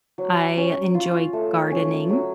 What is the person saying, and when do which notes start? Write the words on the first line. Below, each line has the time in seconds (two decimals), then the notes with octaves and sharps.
I enjoy gardening,
0.18 F#3
0.57 C#4
0.95 F4
1.33 A3
1.71 C#4
2.10 F#3